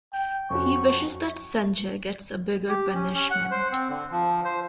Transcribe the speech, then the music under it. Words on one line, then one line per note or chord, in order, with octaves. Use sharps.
He wishes that Sanjay gets a bigger punishment.
G5
F2 C#4 F#4 C#6
G4
C#4
C#4
F#5
C5
C4
D3
F3
C5